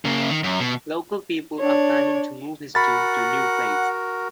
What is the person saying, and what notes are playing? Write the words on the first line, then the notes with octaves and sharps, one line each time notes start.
Local people are planning to move his tomb to new place.
C#3 A#3
D#3
F#2
B2
D4 C#5
F#4 A#4 F#5 B5 A6